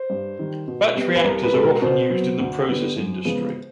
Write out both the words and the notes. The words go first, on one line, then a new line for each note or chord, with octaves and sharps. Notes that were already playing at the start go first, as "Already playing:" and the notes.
Batch reactors are often used in the process industry.
Already playing: C5
G2
D#3 G3
B2
G3 B3
B4
C2 A#4
B4
B2 G#3 A4
A#4
B2 C5
F#3 B3
D2
D3 G3 B3
F#2
C#3 F3 G#3 B3